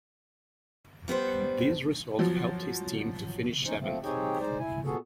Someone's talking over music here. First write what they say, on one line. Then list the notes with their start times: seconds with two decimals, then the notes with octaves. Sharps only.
This result helped his team to finish seventh.
1.08 G3 B3 B4 C5
2.19 F3 F#3
3.66 C#4 D#4 C5
3.80 F3 A3 C4
4.04 C4 D#4 G4 G#4 C#5 G5
4.40 G#3 D#4 C5 D5
4.59 E4 G#5
4.86 A#2 B3 F#4 G#4 A4